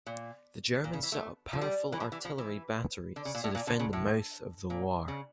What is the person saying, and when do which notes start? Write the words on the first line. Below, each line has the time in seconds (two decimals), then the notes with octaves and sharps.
The Germans set up powerful artillery batteries to defend the mouth of the Loire.
0.06 A#2
0.84 A#2
0.93 C#3
1.03 E3
1.12 A3
1.53 F3
1.61 G3
1.92 E3
2.00 F3
2.12 E3
2.25 F3
2.38 E3
3.16 D3
3.25 C#3
3.35 A#2
3.44 A2
3.55 A#2
3.67 D3
3.79 C#3
3.93 A2
4.70 A#2
5.08 C#3